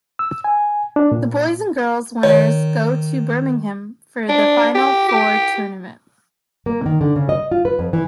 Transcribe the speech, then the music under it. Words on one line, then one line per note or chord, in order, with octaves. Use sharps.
The boys and girls winners go to Birmingham for the Final Four tournament.
E6
G#5
D4
A#2
D#3 C#5
D4
G4
G4
A#3
D#3
D3
C#3
D#5
F4
B4
F2
E3